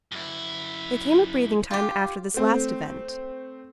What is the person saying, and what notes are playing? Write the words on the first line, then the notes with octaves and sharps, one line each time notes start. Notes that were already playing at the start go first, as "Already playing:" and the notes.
There came a breathing-time after this last event.
F#2 E4
F4 G4
A3 C4